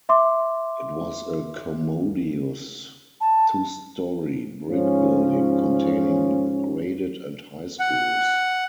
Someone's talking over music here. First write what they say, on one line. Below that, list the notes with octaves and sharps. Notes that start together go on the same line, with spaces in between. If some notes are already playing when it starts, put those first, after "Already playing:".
It was a commodious two-story brick building containing the graded and high schools.
E5 C6 D6
A5
G#2 F3 C#4
F#5